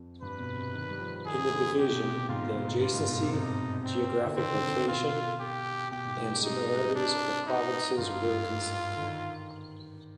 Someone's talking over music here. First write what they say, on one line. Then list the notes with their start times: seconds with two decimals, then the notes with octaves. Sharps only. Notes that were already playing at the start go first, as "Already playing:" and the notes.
In the division, the adjacency, geographical location and similarities of the provinces were considered.
Already playing: F2
0.22 G2 B4
0.39 B2
0.56 C3
0.75 D#3
0.89 G3
1.00 F3
1.26 D#3 G#4
1.52 D3
1.77 C3 G4
1.91 B2
2.16 B2
2.29 G#2 F4
2.42 B2
2.55 B2
2.68 G#2
2.81 G2 F4
2.94 G#2
3.08 B2
3.20 C3
3.32 C3 D#4
3.84 C4
4.11 C3
4.24 D3
4.36 D#3 C4
4.49 D3
4.62 C3
4.70 D3
4.75 C3
4.88 B2 F4
5.40 G4
5.91 B2 G4
6.05 G#2
6.18 G#2
6.30 G3
6.39 G#3
6.43 G3 D#4
6.57 G#3
6.66 G3
6.75 G#3
6.83 G3
6.95 C3 D4
7.46 D#4
7.98 G2 F4
8.25 G#2
8.96 D3
9.02 D#3